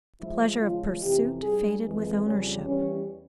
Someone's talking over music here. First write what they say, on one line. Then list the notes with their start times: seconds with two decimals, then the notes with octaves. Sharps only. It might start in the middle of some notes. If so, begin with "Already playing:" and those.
The pleasure of pursuit faded with ownership.
0.21 G#2 F3 G#3 E4
0.61 E2 C#3 F3 G#3 F4
1.02 F2 C3 E3 G4
1.42 G2 G3 G#4
1.83 F2 E3 G#3
2.24 F2 C#3 G3 C#4
2.64 E2 E3 G3 C#4